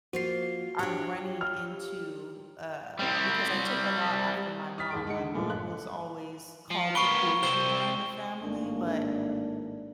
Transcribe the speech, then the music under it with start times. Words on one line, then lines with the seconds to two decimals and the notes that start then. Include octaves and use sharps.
I'm running into um, because I took a lot after my mom. My mom was always called the bougie one in the family, but
0.13 F3 A#3 F4 F#4 C5 C7
0.79 D4 F4 G4 C#5
1.41 F6
2.99 G3 C4
4.78 D#6 F6 A6 B6
4.91 D#2 G#4 D7
5.07 G#3 F#5 C#7
5.19 D3
5.35 G1 A#2 G#3 A3
5.50 F#6
6.70 F3
6.95 A#3 B4 C#6 D7 G7
7.43 C2 C4 G7
8.40 G#1 A2 A#3 D4